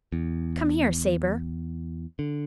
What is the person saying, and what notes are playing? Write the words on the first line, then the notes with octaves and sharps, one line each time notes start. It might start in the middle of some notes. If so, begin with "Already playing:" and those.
"Come here, Sabre."
E2
D3